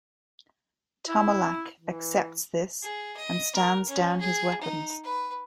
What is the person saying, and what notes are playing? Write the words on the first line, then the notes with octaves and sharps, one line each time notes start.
Tomalak accepts this and stands down his weapons.
E4
E3
G#4
D#5
A#4
C#4
G#4
D#4
B4